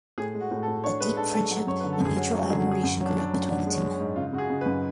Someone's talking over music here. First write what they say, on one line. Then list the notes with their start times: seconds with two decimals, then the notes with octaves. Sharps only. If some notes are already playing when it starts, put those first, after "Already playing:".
A deep friendship and mutual admiration grew up between the two men.
0.18 A2 G#4
0.34 G#3
0.40 F#4
0.51 A2
0.63 A4
0.68 A2
0.84 D4 C#5
1.00 G#3 B4
1.17 D4 A4
1.34 G#3 A4
1.51 F#3
1.67 F#2 C#5
1.80 D3 B4
1.93 A4
2.00 F#2
2.05 G#4
2.17 C#4 F#4
2.34 F#3
2.50 D3 G#4
2.60 F#4
2.67 D3 G#4
2.83 F#2 F#4
3.00 F#3 C#4
3.05 D4
3.17 F#3 D4
3.27 C#4
3.34 F#2
3.50 B3 D4
3.66 G#3
3.72 C#4
3.83 G#3
3.94 C#4
4.00 G#2
4.16 C#3 F4
4.33 C#3 F#4
4.38 G#4
4.50 C#3
4.61 B4
4.66 F#2